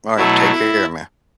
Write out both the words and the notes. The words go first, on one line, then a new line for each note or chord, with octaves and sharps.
Alright, take care, man.
B2 F#3 A3 E4